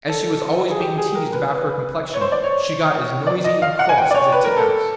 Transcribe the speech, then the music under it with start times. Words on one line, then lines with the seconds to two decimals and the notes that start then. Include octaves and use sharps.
As she was always being teased about her complexion, she got as noisy and cross as a titmouse.
0.09 A4
0.70 G#4
0.80 G4
0.98 G#4
1.15 A#4
1.33 B4
1.51 B4
2.14 C#5
2.21 C5
2.32 D5
2.44 C#5
3.27 D5
3.44 D#5
3.62 F5
3.79 F#5
3.89 G#5
3.97 G5
4.11 D5
4.15 C#5
4.32 B4
4.44 A#4
4.56 A4